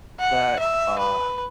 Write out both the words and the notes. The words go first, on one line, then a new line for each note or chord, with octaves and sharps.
that, uh,
F#5
E5
B4